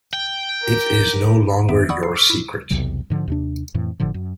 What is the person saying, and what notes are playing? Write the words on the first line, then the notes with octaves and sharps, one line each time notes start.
It is no longer your secret.
G5
G4 A#4
F2 D#3 B3 E5 D7
D5 F#5 B5 C#6 D#6 E6
A4 C7
C#6 D6 E6 F6 B6
E4
B1 E2 C3 F#3
G#2 D3 F3
D#2 C3 D4
F2 A2 E3
G1 A2 D3 F3
F#2